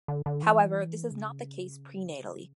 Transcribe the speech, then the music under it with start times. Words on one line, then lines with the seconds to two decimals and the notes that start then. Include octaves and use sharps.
However, this is not the case prenatally.
0.08 D3
0.26 D3
0.43 E3
1.12 C#3